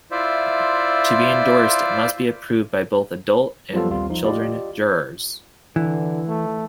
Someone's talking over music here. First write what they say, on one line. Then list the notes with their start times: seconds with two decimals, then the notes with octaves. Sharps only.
To be endorsed, it must be approved by both adult and children jurors.
0.11 E4 F4 C5 D5 E5
3.73 F3 G3 B3 F4 A4
3.90 A#1 D#2 G3 C4 F4
4.09 F3 D#4
4.25 F4 G4 D5 D#5
5.76 D3 E3
6.28 A3